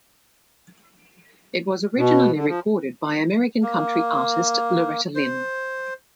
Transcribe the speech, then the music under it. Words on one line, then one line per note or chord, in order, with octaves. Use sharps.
It was originally recorded by American country artist Loretta Lynn.
B2
D3
F3
A#3
C5